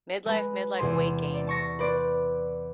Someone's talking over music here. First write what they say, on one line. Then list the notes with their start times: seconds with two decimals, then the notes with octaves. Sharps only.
Midlife, midlife weight gain.
0.26 G#3 B4
0.78 E2 C3 G#4 C6
1.34 D5
1.47 A5 C#6 A#6
1.79 B4 C5 D5